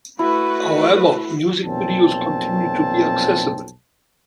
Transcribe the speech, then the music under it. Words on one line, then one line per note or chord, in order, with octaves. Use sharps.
However, music videos continue to be accessible.
A3 E4 F#4 B4
B1 F2 A#2 C4 A5